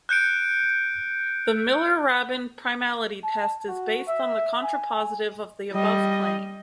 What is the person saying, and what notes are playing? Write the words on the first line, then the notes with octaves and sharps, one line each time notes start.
The Miller-Rabin primality test is based on the contrapositive of the above claim.
F#6 G6 C#7 D7
A5
F#4
E5
G#5
G3 D#5